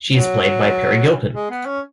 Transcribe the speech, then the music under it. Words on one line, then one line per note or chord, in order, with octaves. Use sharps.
She is played by Peri Gilpin.
F#3
G#3
B3
C#4